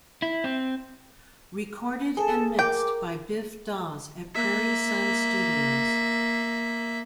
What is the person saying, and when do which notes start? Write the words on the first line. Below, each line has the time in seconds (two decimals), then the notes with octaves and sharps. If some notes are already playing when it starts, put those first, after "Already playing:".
Recorded and mixed by Biff Dawes at Prairie Sun Studios.
0.22 E4
0.44 C4
2.17 G#4 A4 A5
2.59 A#4 G5 D6
4.35 A#3 E5